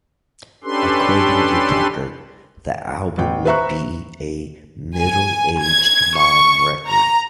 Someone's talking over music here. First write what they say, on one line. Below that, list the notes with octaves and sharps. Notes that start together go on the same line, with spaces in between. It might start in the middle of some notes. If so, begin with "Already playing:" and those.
According to Tucker, the album would be a "middle-aged mom record".
C#4 D4 G4 A4 B4 C6
A1 G5
B4 C5 E5 A#5 C#6 F#6
G#5
G#6
C#6
A#5